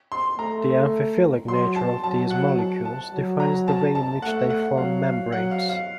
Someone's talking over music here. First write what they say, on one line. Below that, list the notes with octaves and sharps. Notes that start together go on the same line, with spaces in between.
The amphiphilic nature of these molecules defines the way in which they form membranes.
C6
A3 A#5
F#3 C6
A5
F#3 A5
F#5
A5
A5
F#3
A#5
A5
A5
A3 F#5
F#5
F#3 F5
F5
F#3 F#5
F5
F5